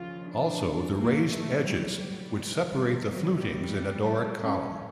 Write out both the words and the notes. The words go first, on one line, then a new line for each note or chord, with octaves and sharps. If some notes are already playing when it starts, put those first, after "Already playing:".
Also the raised edges which separate the flutings in a Doric column.
Already playing: D#2 C#3 F3 F4
D4
A2 F#3 A#3
A3
G3
G3
F2 C3 D#3
G3
F#3
G3
A2 F3
C#4